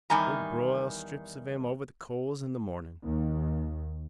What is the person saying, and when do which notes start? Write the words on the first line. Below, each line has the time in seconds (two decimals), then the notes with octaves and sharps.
We'll broil strips of him over the coals in the mornin'.
0.10 E2 D#3 G3 G#5 A#5
3.05 D#2